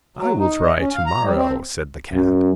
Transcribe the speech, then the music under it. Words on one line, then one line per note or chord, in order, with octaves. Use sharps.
"I will try to-morrow," said the cat.
F#3
D#4
D#5
C#4
F5
A#5
G3
C4
F#2